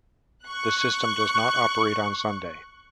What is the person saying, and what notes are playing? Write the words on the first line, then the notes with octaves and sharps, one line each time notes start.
The system does not operate on Sunday.
C#6 F#6